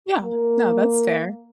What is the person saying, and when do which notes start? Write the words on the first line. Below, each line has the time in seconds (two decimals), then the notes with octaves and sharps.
yeah, no, that's fair.
0.23 A#3